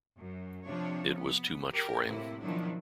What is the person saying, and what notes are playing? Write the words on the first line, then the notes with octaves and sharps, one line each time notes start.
It was too much for him.
F#2
C3 F3 D4 C#5
B3
G4 A#4
A2 C3 A#3 E4
B2 D#3 F3 F#3 D4 E4